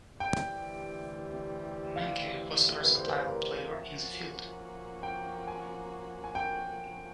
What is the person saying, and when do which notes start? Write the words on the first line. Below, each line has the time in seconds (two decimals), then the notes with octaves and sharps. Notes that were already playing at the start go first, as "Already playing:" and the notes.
Menke was a versatile player in the field.
0.20 D2 C3 E3 G3 G5
1.96 F5
2.83 B4
2.96 C5
3.07 B4
3.27 A#4
3.72 F3 A#3 C#4 F#4 E5
5.03 G5
5.48 G#5
6.24 G#5
6.35 G5